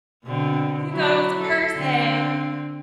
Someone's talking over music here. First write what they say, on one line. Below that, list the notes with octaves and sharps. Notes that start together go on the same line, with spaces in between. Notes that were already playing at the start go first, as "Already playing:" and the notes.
he thought it was a person.
B2 D3 C4
F#3 E4
A4
D3 C4